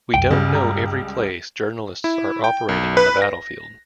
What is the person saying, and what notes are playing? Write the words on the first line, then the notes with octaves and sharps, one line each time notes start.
We don't know every place journalists are operating on the battlefield.
C2 F#2 G5
C#2 G2 C#3 G3
A#5
E4
G5
B1
B4
A#6